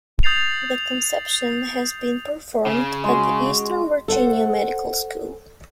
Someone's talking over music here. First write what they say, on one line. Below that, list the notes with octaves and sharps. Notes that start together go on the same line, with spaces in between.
The conception had been performed at the Eastern Virginia Medical School.
D#6 G6 A6 C7 F7
C#3
G#3 F#4
A4 C5 F#5